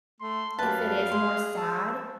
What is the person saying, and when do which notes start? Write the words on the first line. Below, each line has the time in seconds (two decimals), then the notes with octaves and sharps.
if it is more sad,
0.21 A3 C6
0.59 F#2 G4 B4 F5 A5
1.12 G#4 C6
1.57 A5 E6